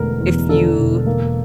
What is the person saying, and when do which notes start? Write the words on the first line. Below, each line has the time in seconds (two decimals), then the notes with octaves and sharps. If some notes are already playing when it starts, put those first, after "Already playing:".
if you
Already playing: E1 E2 D3 A3 A#4
0.21 E2
0.49 D3 A4
0.78 E1
1.06 A#3